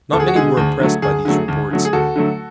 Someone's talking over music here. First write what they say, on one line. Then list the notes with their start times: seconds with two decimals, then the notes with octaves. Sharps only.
Not many were impressed by these reports.
0.13 D2 A4
0.20 G#4
0.28 F#4
0.35 D3 G#3 G#4
0.57 D2
0.80 D3 F#3 A3
1.02 D2 G#4
1.25 D3 F#3 A3
1.48 D2
1.71 D3 F#3 A3
1.85 G#4
1.93 D2 F#4 A4
2.16 D3 F#3 A3